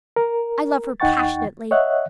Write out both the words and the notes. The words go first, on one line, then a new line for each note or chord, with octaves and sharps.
I love her passionately.
A#4
D#2 D#4 F#5 G5 C#6 A6
C#5 D#5 E5 F#5 F#6